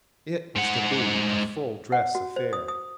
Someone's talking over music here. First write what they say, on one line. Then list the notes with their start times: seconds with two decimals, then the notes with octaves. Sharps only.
It was to be a full-dress affair.
0.56 G#2 F#5
1.92 F#5
2.15 F#4
2.36 C5
2.53 D#6
2.68 D#6